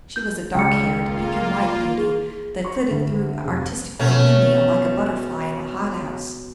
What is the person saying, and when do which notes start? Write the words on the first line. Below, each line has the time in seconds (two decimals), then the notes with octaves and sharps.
She was a dark-haired, pink-and-white beauty that flitted through artistic Bohemia like a butterfly in a hothouse.
0.16 G6
0.55 C#2 G5 C#7
0.95 A#3 F4
1.98 G#4
2.65 C#6
2.91 D2
3.45 F1
3.99 B2 A3 C#4